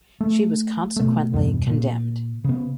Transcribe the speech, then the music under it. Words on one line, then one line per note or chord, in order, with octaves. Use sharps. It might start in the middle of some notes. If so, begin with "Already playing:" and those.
She was consequently condemned.
A3
B2 A3
E2 G2 B2
A#2
C#3 B3